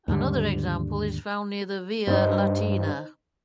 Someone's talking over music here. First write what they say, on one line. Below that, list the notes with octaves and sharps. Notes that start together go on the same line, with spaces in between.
Another example is found near the Via Latina.
D#2 G#2 D3 G3
G2 D#4 C5